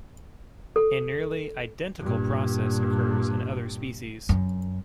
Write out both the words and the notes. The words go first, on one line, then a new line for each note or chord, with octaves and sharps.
A nearly identical process occurs in other species.
A4
G2 A#2
F#2